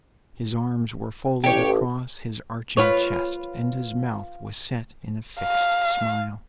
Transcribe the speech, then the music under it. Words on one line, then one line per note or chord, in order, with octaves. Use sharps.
His arms were folded across his arching chest, and his mouth was set in a fixed smile.
A1 G4 C#5
F4 B4 C#5
F5